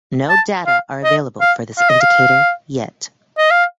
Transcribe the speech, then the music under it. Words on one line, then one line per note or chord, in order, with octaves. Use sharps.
No data are available for this indicator yet.
A5
F5
D#5
F5
F5
D#5
F5
D#5
F5